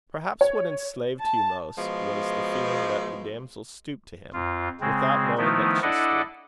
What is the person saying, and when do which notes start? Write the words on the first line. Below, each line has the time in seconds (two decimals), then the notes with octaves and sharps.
Perhaps, what enslaved Hugh most, was the feeling that the damsel stooped to him, without knowing that she stooped.
0.41 C#5
1.20 A5
1.77 B2 F3 G#3
4.33 F2 F4
4.81 C#3 G#3 C4
5.38 D#3 F3 A3 B3 D#4 E4
5.82 D4 E4 A4 D5 D#5 F#5